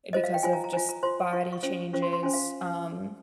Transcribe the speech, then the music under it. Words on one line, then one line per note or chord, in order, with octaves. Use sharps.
because of just body changes, um,
F4 C5 D#5
F5
G5
F4 C5 G#5
A#5
A#5
F4 C5 G#5
A#5
F4 C5 C6
F4 C5 C#6
C#6
C#4 F4 C5
C#4 F4 C5 C#6
C6
C6
C#4 F4 C5 G#5
F5